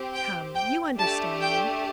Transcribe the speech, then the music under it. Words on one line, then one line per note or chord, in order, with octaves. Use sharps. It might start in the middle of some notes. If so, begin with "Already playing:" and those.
"Come, you understand me."
Already playing: C4 G4
G5
G5
A3 D4 G4 A5
G5